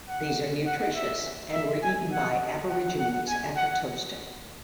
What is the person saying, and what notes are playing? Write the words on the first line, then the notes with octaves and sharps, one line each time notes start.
These are nutritious and were eaten by Aborigines after toasting.
F#5
F#5
E5
E5
G#5
F#5
F#5
F#5
G#5
F#5